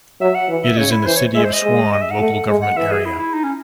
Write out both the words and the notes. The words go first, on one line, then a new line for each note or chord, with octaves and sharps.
It is in the City of Swan local government area.
F#3 E5
F#5
E3
E5
C#3 C#5
E4
E3 C5
C#5
G#3 E5
C5
D#5
G#3
D#5
E5
F#5
A3
G#3
F#5
E3 E5
G#4
E4
E4
D#4
C#4